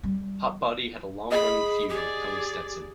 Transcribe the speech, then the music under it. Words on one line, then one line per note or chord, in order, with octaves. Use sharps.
Hotbody had a long-running feud with Tony Stetson.
G3
G#4 D#5 B5
G4 G#4 D5